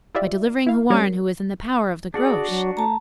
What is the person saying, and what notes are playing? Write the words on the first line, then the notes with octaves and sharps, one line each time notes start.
'By delivering Houarn, who is in the power of the Groac'h.'
E4 F4 G4 D5 E5
E4 F5
G3 C4 C#4 A#4 C#5
D4 F#4 G#4 D5
F#3
A3 A5 A#5